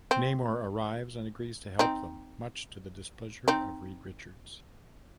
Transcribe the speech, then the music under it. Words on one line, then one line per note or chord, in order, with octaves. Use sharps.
Namor arrives and agrees to help them much to the displeasure of Reed Richards.
C4
C4 D#4
C4 D#4